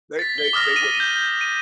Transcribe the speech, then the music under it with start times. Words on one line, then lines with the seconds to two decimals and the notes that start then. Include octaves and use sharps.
They they they wouldn't.
0.19 A6 B6
0.38 G7
0.53 D6 D#6 F6 A#6
0.76 D#7
1.00 G6
1.41 D#7